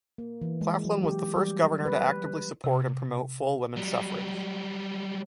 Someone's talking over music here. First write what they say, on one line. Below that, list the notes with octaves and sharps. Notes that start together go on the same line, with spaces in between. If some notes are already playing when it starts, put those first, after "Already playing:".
Claflin was the first governor to actively support and promote full women's suffrage.
A#3
E3
G#3
F#3
G4
G3
B4
C3
F#3 G3